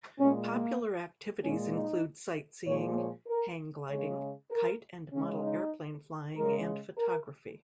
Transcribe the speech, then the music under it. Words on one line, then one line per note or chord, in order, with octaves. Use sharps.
Popular activities include sight-seeing, hang gliding, kite and model airplane flying, and photography.
A#2 G#3 C#4
A#3
A#2 G#3 C#4
D#4
A#2 F3 G#3 C#5
C#5
A#4
C#3 G#3 C#5
A#4
C#3 G#3 C#4
D#4
C#3 G#3 A#4
A#4